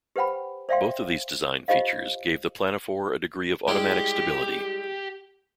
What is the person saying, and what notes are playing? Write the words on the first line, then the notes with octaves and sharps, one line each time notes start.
Both of these design features gave the planophore a degree of automatic stability.
G4 B4 C5 F#5 G5 B5
C5 D5 E5 F5 G5 C6
F4 G4 C5 D#5 F5
G3 G#3 E4 G4